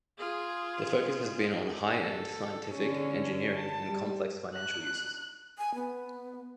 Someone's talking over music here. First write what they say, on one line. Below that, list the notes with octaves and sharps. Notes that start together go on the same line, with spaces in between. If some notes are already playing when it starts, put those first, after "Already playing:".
Their focus has been on high-end scientific, engineering and complex financial uses.
F4 G#4
A4
D3 C#4
A5
G3
F#6
G#5
B3